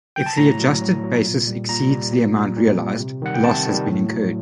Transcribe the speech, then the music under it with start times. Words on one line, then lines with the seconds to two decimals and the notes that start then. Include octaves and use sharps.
If the adjusted basis exceeds the amount realized, a loss has been incurred.
0.16 G5
0.26 A5
0.37 A2 A#5
0.59 F#3
0.82 A2
1.04 F#3
1.25 A#2
1.47 G3
1.69 A#2 A#5
1.91 G3
2.12 A#2
2.34 G3
2.57 A#2
2.79 G3
3.00 C3
3.22 D#3 G3 F#5
3.34 G5
3.44 C3 A5
3.66 D#3 G3
3.87 A2
4.09 F#3